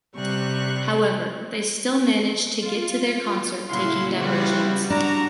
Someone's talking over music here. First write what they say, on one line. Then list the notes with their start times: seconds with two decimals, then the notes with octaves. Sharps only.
However, they still managed to get to their concert taking diversions.
0.15 C3 G3 C#6 F#6
2.61 F4
3.69 A#2 C#3 F#3 E4 F5 F#5 C6
4.20 G3 B3 F4 F#4
4.90 D4 F#4 A#5